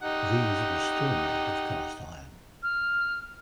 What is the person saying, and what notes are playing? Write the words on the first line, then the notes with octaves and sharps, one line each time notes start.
These were still made of cast iron.
D#4 G4 F#5
F6